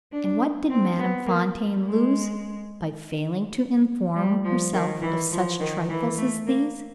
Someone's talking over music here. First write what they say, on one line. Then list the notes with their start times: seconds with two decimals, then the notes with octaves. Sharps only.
And what did Madame Fontaine lose, by failing to inform herself of such trifles as these?
0.12 D4
0.70 C4
0.99 B3
1.27 A#3
1.86 G#3
4.16 G3
4.45 F3
4.73 D#3
5.02 E3
5.32 F3
5.60 D#3
5.89 E3
6.18 A3
6.47 A#3